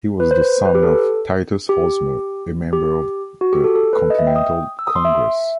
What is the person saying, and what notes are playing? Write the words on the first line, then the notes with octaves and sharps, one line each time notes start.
He was the son of Titus Hosmer, a member of the Continental Congress.
B4
C5
B4
G4
A4
G4
G4
F#4
G4
A4
A4
B4
D#5
E5
G5
D#6
E6
D#6
C6
E5